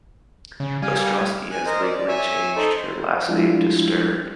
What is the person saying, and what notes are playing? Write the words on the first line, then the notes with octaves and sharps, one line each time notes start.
Ostrosky has legally changed her last name to Stern.
C#3
G3 F5 G#5
G#5 F#6
A#4 C5 D#5
D5
C#5 E5 G#5
D#4 A4 C5
C5
F3 G3 G#3 D4 E4 F4